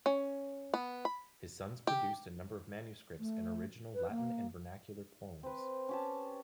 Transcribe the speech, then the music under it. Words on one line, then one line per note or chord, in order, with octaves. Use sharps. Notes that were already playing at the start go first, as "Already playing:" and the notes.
His sons produced a number of manuscripts and original Latin and vernacular poems.
C#4
B3
B5
G4
A3
B4
A#3
C4 B4
C#4 G4 A5